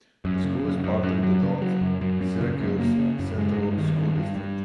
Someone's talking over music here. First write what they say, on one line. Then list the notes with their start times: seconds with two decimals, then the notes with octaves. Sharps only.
The school is part of the North Syracuse Central School District.
0.25 F#2
0.45 C#3
0.64 F#2
0.84 F#2
1.03 F#2
1.23 F#3
1.43 C#3
1.62 F#3
1.81 F#2
2.01 F#2
2.21 F#2
2.41 C#3
2.60 F#2
2.80 A#3
2.99 C#3
3.19 F#2
3.38 G#3
3.58 G2
3.78 D#3
3.97 G2
4.17 G2
4.36 G2